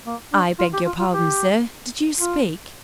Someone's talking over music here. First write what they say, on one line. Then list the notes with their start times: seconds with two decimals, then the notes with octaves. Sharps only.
I beg your pardon, sir, did you speak?
0.07 A#3
0.32 D4
0.59 F4
0.74 G4
0.86 F4
0.99 F4
1.13 G4
2.19 F4